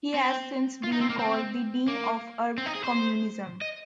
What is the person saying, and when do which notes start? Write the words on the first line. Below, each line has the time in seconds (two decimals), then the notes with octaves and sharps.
He has since been called the dean of Arab communism.
0.14 C4
0.84 F4
0.93 D#4
1.01 C4
1.10 A#3
1.19 C4
1.88 A#3
2.58 C4
2.66 D#4
2.75 G#4
2.84 C5
3.62 D#5